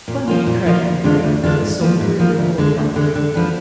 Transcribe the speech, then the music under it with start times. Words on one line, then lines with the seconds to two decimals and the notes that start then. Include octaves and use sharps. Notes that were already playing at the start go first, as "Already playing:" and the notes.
"Bunny!" cried Henriette, with a silvery ripple of laughter.
0.08 A#2
0.28 F3 A#3 F4
0.46 A#2
0.66 F3 A#3 F4
0.84 D2
1.04 D3 G#3 D4 F4
1.23 D2
1.43 D3 G#3 D4 F4
1.62 G#2
1.81 F3 A#3
2.00 G#2
2.19 F3 A#3
2.38 D2
2.58 D3 G#3
2.77 D2
2.96 D3 G#3
3.15 D3
3.34 F3 B3 D4